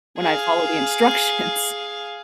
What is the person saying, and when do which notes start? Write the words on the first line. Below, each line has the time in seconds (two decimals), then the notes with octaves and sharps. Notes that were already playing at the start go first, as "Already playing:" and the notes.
when I followed the instructions."
0.18 G#4 F5